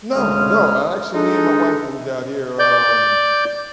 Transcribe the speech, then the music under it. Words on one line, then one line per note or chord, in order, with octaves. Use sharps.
No, no, actually, me and my wife moved out here, um
D2 C#3 G#3 D#6 F6
G#3 D4 D#4 A4
D5 G6